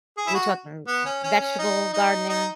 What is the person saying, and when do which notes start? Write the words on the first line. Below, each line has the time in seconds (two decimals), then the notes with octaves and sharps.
are we talking vegetable gardening?
0.17 G#4
0.27 E4
0.34 F#4
0.87 B3
1.05 C#4
1.24 C#4
1.41 C#4
1.59 D#4
1.94 D#4
2.29 D#4